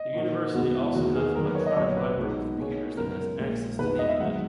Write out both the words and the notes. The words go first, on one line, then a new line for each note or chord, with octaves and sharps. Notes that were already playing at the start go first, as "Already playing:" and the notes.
The university also has an electronic library with computers that has access to internet.
Already playing: D#5
A#2 A#3 D#4 F#4 A#4
E2 B2 G#3 B3 F#4
E4
E2 D#3 A#3 F#4
G#4
D#2 D#3 F#3 A#4
B4
C#5
D#5
A#1 A#2 F#3 B3 C#5
B4
B1 B2 G#3 B3 D#4
B2 A#3 D#4 G#4 C#5
F#2 C#3 G#3 B3 A#4
A#1 A#2 G#3
E1 E2 B2 A#3 D#4 B4
D#5
E5
G#1 G#2 F#3 F#5